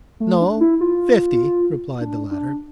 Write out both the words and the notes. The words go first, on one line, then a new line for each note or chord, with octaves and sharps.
"No, fifty," replied the latter.
A3
D4
E4
F4
D4
D4